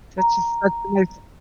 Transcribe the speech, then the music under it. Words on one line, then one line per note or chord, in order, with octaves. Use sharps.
Such a such a nice
A#5